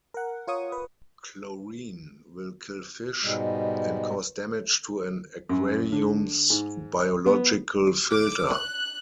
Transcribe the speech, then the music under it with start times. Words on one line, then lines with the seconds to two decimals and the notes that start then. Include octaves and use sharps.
Chlorine will kill fish, and cause damage to an aquarium's biological filter.
0.14 A#4 F#5
0.47 F4 A#4 C#5 C#6 D#6
0.72 B4
3.22 G#2 B2 G3 G#3
5.50 F#2
5.92 D3
6.50 G#2
7.26 B3
8.11 D6
8.51 F#6